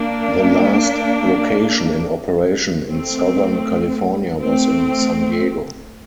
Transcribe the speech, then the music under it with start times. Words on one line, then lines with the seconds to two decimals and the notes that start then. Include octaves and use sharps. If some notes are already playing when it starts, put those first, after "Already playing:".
The last location in operation in Southern California was in San Diego.
Already playing: A#3 D4
2.87 A3 C4
4.41 A3 C4